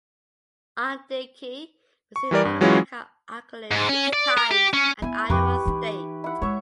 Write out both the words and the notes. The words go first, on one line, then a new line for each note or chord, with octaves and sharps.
Ondieki received All-America accolades six times at Iowa State.
C#6
E3 G3 A#4 D5
G2
E3 F#3 G#3 C#4 E4 F4
G#2
C#4
D5
A#4
G4
C#4
B3 E4 G#5
F2 G4 B4 C#6
E3 D#4
E4 F#5
G#3 C#5 E5